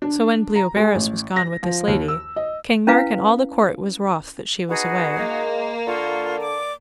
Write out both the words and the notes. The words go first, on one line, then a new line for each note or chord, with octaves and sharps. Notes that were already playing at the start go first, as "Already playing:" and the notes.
So when Bleoberis was gone with this lady, King Mark and all the court was wroth that she was away.
D4
A#5
G#3
A1
A#6
F3
D#2
E6
D#5
C#4 E4 B4 F5
B3 D#4 F#4 G#4
G#3 A#3
D3 F4 C#6
D5 D6